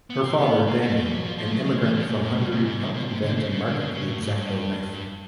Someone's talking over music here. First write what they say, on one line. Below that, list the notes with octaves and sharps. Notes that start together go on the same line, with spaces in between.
Her father, Daniel, an immigrant from Hungary, helped invent and market the X-Acto Knife.
B3
C4
B3
A#3
A3
G#3
G3
F#3
F3
F3
F#3
G#3
E3
B2
A#2
A2
G2
G#2
G#2
G2
B2
C3
D3
C#3
C#3
D3
C#3
C#3
A2
G#2
G2
G2